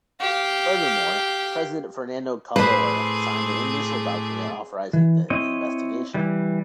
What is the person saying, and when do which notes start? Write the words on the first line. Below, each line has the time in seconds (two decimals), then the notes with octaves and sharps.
Furthermore, President Fernando Collor signed the initial document authorizing the investigation.
0.21 G4 F5
2.56 A2 C4 G#4 B4 C5 D5
4.93 E3
5.30 C4 E4 C#5 D#5
6.14 E3 G3